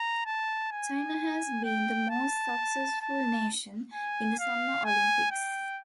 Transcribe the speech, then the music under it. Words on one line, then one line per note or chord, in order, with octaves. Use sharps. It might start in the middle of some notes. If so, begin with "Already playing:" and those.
China has been the most successful nation in the Summer Olympics.
Already playing: A#5
A5
G#5
G5
A5
A5
G#5
F5
G#5
G5